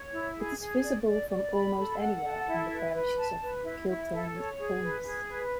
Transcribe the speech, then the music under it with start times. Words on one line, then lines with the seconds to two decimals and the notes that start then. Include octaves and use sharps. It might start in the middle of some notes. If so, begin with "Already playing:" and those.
It is visible from almost anywhere in the parishes of Kiltearn and Alness.
Already playing: C#5
0.12 E4
0.36 G#4
0.59 G#4
0.83 D5
1.07 D5
1.29 D5
1.53 B5
1.77 A4
2.00 F#5
2.24 A4
2.46 E4
2.71 B4
2.93 B4
3.18 A5
3.41 B4
3.63 E4
3.88 E4
4.11 A4
4.34 C#5
4.58 G#4
4.82 B4
5.05 G#4
5.28 B4